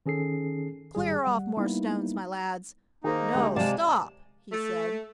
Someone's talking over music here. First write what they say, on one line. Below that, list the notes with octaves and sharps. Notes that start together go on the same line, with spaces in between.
"Clear off more stones, my lads. No; stop!" he said.
D#3 C#4 G#4 A4 C7
G#1 G3 G#4
G3 F#5
G3 A#3 B3 D#4 E4
D#3 A#3 D#4 G#4 A#4 C5
D2 G#3 G4
C3 G#3 D5 F5 A5
A3